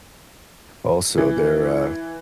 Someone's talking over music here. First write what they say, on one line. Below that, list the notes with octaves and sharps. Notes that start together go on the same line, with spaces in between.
Also, they're, uh
E3